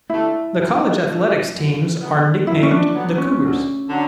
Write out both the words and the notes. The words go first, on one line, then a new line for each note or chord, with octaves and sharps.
The college athletics teams are nicknamed the Cougars.
D3 A3 E4
F#2
D3 A3
F#2
D3 F#3 B3
F#2 E4
C#4
D4
D3 F#3 B3
C#4
D2
D3 F#3